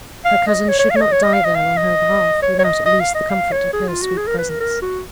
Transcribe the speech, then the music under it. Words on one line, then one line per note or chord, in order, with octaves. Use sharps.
Her cousin should not die there on her behalf, without at least the comfort of her sweet presence.
F5
D#5
C#5
C#5
F5
C#5
D#5
C#5
D#5
F5
D#5
F5
D#5
C#5
C#5
D#5
D#5
F5
D#5
F5
C#5
G#4
F4
F#4
G#4
A#4
B4
A#4
A#4
F#4